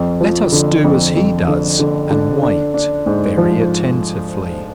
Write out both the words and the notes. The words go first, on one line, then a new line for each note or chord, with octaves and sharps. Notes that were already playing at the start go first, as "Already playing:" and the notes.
Let us do as he does and wait, very attentively.
Already playing: F2
F3
D3
F2
F2
D3
D3
D3
D4
D4
G#2
F3